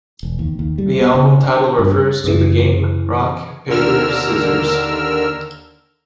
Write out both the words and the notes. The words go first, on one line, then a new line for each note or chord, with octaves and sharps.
The album title refers to the game rock-paper-scissors.
E1
D#2
D#2
G3
B3
C#3
D3
G2
F#2 C#3 E3
D#2 D3 A#4 E6 F6